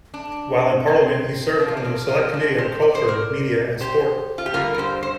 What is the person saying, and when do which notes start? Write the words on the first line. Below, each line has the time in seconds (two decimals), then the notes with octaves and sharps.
While in Parliament he served on the Select Committee on Culture, Media and Sport.
0.14 D4
0.87 C4
1.59 F2 F3 A#3 D4
1.68 F4
1.77 D4
1.84 A#4 D5
2.09 F4 A#4
2.33 D4 G4
2.58 G4 C5
2.82 D5
2.95 C5
3.08 A#4 D5
3.80 G4 C5
4.38 F4
4.46 G4
4.53 G2 D3 A#3 F4 A#4
4.74 A#4
4.78 G4 C5
5.03 C5